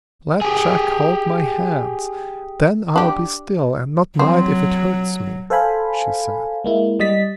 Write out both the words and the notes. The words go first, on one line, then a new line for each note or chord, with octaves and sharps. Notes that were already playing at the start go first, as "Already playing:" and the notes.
'Let Jack hold my hands; then I'll be still, and not mind if it hurts me,' she said.
G4 G#4
D4 G4
F#3 C4
A4 C5 F5 G#5 B5
G#3 A#3 E4
G3 D#5 A6 B6